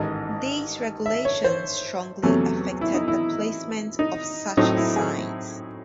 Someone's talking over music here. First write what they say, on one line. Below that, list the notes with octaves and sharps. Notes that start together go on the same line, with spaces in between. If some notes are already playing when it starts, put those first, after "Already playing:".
These regulations strongly affected the placement of such signs.
Already playing: A1 G#2 D#3 D#5
E5
C#5
C5
E2 C3 F#3 A3 C#4
E4
D#4
E4
D#4
A2 F#3 C4 D#4
E4
G#4